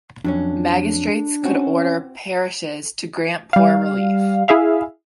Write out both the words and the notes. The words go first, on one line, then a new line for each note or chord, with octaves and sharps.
Magistrates could order parishes to grant poor relief.
F2 F#3 C#4 D4
C4 C#4 F#4
G3 F5
E4 G#4 E5 F5